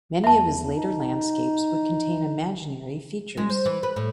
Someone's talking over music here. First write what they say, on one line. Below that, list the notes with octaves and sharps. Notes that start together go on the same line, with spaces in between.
Many of his later landscapes would contain imaginary features.
E2 E5 A5
D#4
G#3
C5
E3
B4
A2